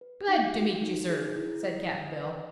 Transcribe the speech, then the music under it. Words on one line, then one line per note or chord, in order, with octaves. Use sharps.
"Glad to meet you, sir," said Cap'n Bill.
B4
D#4
F#4
D#4
G#4
E4
D#5
D#5
B4